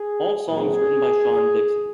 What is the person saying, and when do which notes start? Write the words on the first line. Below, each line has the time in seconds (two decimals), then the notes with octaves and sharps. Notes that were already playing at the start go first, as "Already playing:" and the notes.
All songs written by Sean Dickson.
Already playing: G#4
0.48 A#2 F#3 C4 G#4